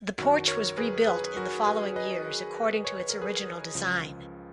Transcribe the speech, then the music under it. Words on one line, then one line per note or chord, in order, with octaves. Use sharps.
The porch was rebuilt in the following years according to its original design.
F#2 D#3 F#3 F#4 A#4
A#4 C#5
G#4 B4
G#4 B4
F#4 A#4
G#4 B4
B4 D#5
C#5
B4
A#4
G#4 B4
C#2 C#3 F3